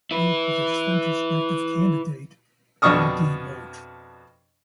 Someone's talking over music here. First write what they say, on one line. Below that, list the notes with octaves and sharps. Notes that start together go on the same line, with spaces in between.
Mote with its then-prospective candidate R. D. Moate.
E4 B4
F2 B2 D4 C#6 D#6 F6